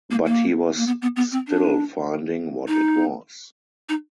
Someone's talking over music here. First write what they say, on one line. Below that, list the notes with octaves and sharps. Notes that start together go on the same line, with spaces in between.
But he was still finding what it was.
A#3
A#3
A#3
B3
B3
B3
C4
D4
D#4
D#4